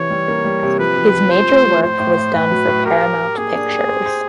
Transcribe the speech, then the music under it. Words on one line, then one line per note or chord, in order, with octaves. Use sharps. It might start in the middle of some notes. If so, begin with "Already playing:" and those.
His major work was done for Paramount Pictures.
Already playing: C3 E3 C#5
G3
A#3
G3
C3
F3 B4
F3
F3
F3 C5
A3
F3
A2 C5
A2
A2
A2 B4
F#3
A2
G4 A#4
G4
G4
A#3 G#4
D4
G4
C5
C5